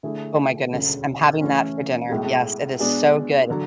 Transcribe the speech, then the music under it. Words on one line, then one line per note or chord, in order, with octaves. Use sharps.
Oh my goodness, I'm having that for dinner. Yes, it is so good.
D3 A3 E4 G#4
E1 D2 C#3
C#3 E3 A3 C#4
B1 A2 G#3
B2 G#3 D4 G#4
D3 F#3